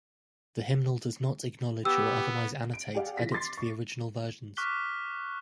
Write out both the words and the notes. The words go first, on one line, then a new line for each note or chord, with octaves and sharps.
The hymnal does not acknowledge or otherwise annotate edits to the original versions.
B3 G4 E6
D7
G4 G#4 D5 F5 F#5
E3 F3 A#6 B6
C6 D6 A6 C7
C#6
C#6 D6 F6 F#6 B6 G7